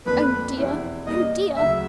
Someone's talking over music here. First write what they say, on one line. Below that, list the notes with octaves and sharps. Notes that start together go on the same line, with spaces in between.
Oh dear, oh dear!
F2 D3 F3 A#3 D4 B4
E2 B2 G3 C4 E4
A#2 G3 A#3 D#5
D2 C#3 F#3 E5